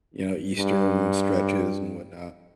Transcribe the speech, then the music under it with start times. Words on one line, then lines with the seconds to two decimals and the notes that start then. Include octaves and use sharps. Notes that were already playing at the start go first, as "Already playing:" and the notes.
you know, eastern stretches, and whatnot.
0.57 G2